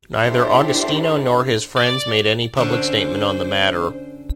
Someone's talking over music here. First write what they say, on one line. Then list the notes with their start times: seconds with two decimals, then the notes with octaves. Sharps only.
Neither Agostino nor his friends made any public statement on the matter.
0.24 D4 E4 G4 A4 C5
1.78 D5
2.57 D3 C#4 D4 C5